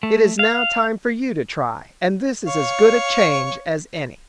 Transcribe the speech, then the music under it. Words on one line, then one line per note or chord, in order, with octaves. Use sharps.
"It is now time for you to try, and this is as good a change as any."
A3
F5
C#5 F5